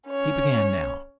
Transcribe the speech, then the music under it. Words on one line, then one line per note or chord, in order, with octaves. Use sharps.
He began now.
C#4 C#5